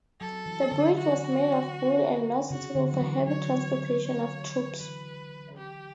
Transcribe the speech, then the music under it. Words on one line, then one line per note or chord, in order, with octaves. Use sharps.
The bridge was made of wood and not suitable for heavy transportation of troops.
F#3 A4
E3
D3
F#4
C#3 F#4
D3
F#4
F#3
E3
F#3 C#5
C#5
E3 B4
G4